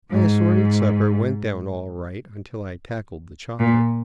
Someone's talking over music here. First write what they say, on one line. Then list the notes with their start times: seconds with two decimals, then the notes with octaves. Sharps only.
My assorted supper went down all right until I tackled the chocolate.
0.11 G#2
3.59 A#2